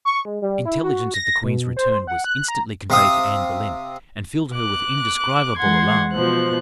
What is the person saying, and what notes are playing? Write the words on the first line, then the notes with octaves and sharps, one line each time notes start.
Intelligence of the queen's return was instantly conveyed to Anne Boleyn, and filled her with indescribable alarm.
C#6
G#3
G3
E4
F#4
A#6
B2
C5
F#5
F#6
A#5
C3 F5 D#6
D6 F#6
E3 G#3 F#5 C6 G#6
B2 F3 C5 F#6